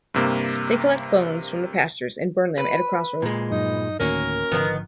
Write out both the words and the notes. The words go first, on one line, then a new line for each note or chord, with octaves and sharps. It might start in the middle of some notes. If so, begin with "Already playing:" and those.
They collect bones from the pastures and burn them at a crossroad.
G2 C3 A#3
B4
A#2 G#3
G2 F#3 D#4
D2 A2 D#3 A#3 C#4 F#4 A#4
G#1 D3 D#3 F3 B3